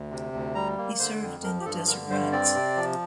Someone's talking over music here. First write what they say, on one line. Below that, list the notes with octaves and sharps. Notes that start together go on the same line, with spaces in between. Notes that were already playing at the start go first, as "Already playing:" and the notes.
He served in the Desert Rats.
Already playing: D2
C3
D2
G3 A#5
A#3
D3 C5
F2
F3 A#4
G4
G2 A4
D3 A#4
G2 C5
C4 D5
C3
F3